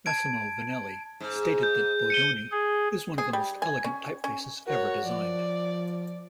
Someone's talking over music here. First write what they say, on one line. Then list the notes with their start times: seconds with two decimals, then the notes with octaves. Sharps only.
Massimo Vignelli stated that Bodoni is one of the most elegant typefaces ever designed.
0.06 A5 G#6 D7
1.20 G#2
1.63 G6
2.10 C#7 D#7 G7
2.52 G#4
3.18 G#4
3.33 G3
3.62 G#5
3.84 C#4
4.24 C#4
4.67 F#4 A#4 C#5
5.05 F3 D5